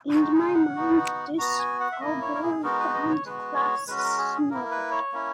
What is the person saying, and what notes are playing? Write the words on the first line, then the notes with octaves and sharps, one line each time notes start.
In my mind, this all boils down to class snobbery.
G#3 D#4 F#4
G#4
F#5
B3 D#4 F#4
B3 F#4 A#5
G#5
F#5
E5
A#3 E4 D#5
C#5
A#4
G#4
G#3 B3 D#4 F#4 A#4
B4
D#5
C#5
G#3 B3 F#4 B4
C#5
G#3 C#4 F#4 B4
B4
A#4
G#4
G#4
A#3 E4 A#4
A#4
B4
C#5
A#3 C#4 E4